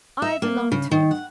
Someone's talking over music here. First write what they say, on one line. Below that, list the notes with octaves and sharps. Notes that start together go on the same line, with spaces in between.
I belong to it.
E5
A#3
C#3
D#3
F#5